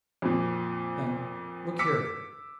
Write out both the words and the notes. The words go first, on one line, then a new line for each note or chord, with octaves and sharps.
Then, "Look here!"
F2 A#2
D6 E6 B6 C#7